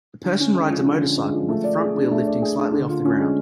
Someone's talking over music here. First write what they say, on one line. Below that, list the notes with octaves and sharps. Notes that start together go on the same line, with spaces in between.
A person rides a motorcycle, with the front wheel lifting slightly off the ground.
D3
C#4
G#3
F3
D3
C#4
G#3
F3
A3
D5
G#4
D4
A3
D5
G#4
D4
D3
F4
C#4
G#3